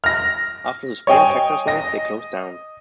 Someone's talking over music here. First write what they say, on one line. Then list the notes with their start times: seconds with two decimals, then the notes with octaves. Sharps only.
After the spring Texas race, they closed down.
0.04 F6 A#6
1.07 C#5 D#5 G5 G#5 D#6
1.67 D#5 A#6